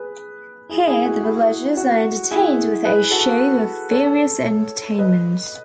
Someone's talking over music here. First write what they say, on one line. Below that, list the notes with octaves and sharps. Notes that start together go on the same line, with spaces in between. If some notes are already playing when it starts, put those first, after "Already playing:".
Here the villagers are entertained with a show of various entertainments.
Already playing: G#4 B4
E4 G#4
E4 G#4
F#4
E4
F#4
E4 G#4
G#4 B4
F#4 A4
A4 C#5
B4 D#5